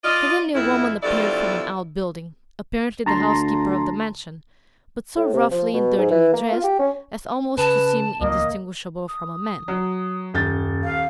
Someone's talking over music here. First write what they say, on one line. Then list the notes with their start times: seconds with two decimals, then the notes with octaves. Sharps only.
Suddenly a woman appeared from an outbuilding--apparently the housekeeper of the mansion, but so roughly and dirtily dressed as almost to seem indistinguishable from a man.
0.04 F4 D5 D#5
0.55 F2 E4
1.03 G2 B2 F3 E4 A4 D5
3.06 D2 A5 A#5 C6
5.16 A2
5.33 C3
5.51 F3
5.74 B2
5.98 G#2
6.10 E3
6.33 A#3
6.52 F4
6.64 G4
6.79 C#4
7.58 C#3 B4 A5
8.21 C#2 A2 E3 A#3 D#5
9.08 D#6
9.68 F#3
10.34 D#1 F#2 G6 A6
10.84 F5